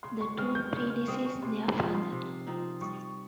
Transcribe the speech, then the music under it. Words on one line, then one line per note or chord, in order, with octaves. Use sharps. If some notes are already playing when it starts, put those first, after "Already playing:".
The two predeceased their father.
C#3 C6
C#6
G#3 C4 F6
G6
C#3
F6
G#3 C4 D#6
C#6
C3 C6
F3 C4 D#4 C6
C6
C3
F3 C4 D#4
G3 C#6